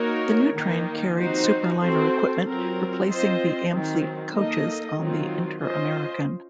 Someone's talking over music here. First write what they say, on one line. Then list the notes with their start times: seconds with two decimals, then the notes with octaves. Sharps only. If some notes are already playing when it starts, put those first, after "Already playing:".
The new train carried Superliner equipment, replacing the Amfleet coaches on the "Inter-American".
Already playing: A#3 D#4 F#4 A#4 C#5
0.53 D#3 A#3 D#4
1.17 F3 C4 D#4 F#4 C5
1.80 C4 F#4 A4 C5
2.45 F#3 C4 F4 A#4
3.08 C4 F4 C5 D#5
3.70 D#3 F#3 C4
4.34 A#3 D#4 A4 D#5
4.97 D#3 F#3 C4 F4
5.60 C#4 F4 C5 D#5